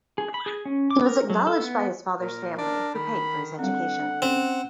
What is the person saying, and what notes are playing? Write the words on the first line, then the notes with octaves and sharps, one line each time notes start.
He was acknowledged by his father's family, who paid for his education.
G#4
B5
G#4
C#4
D6
A#4
F#3
A4
B3
A#2 A#4
D4 A#4
D#3 B5
D3 G3 C4 F#5
C4 C#4 F#5